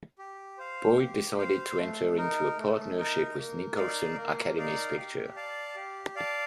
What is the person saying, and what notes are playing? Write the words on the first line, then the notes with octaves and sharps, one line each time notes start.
Boyd decided to enter into a partnership with Nicholson's Academy Pictures.
G4
C5 F5
G4
C5 F5
A3
D#4 A#4
A3
D#4 A#4
A#3
D#4 A#4 D5 F5
A#3
D#4 A#4 D5 F5
G4
D5 F5 A5
G4
D5 F5 A5